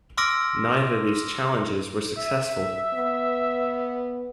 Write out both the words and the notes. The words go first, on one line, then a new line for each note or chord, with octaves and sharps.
Neither of these challenges were successful.
C6 D6 E6 F6 A#6 D7
E5
B3